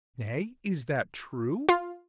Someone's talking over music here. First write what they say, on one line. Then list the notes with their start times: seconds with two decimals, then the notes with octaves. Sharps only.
"Nay, is that true?"
1.69 F4